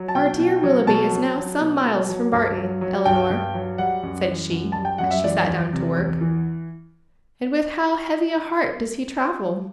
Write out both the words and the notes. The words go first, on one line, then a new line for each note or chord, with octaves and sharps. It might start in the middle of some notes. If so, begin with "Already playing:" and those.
"Our dear Willoughby is now some miles from Barton, Elinor," said she, as she sat down to work, "and with how heavy a heart does he travel?"
Already playing: F#3
A5
B2 G5
B2
F#3
B2 A5
F#3
F#3
B2
B2
F#3
G2
F#3
F#3
G2 G5
G2
F#3
G3 F#5
F#2
E3
F#2
G3 A5
G5
F#2 F#5
E5
E3 D5
E2
C3
E2
E3